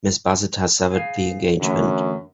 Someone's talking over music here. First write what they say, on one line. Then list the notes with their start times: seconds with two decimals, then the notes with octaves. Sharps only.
Miss Bassett has severed the engagement.
0.91 G#4 F5
1.61 F#2 D3 E3 A3